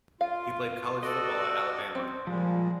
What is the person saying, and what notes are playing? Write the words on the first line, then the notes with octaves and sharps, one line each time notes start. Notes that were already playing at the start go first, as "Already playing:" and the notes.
He played college football at Alabama.
F4 F5
F#4 A4 D5 D#5
C4
A#2 F3 G3 G#3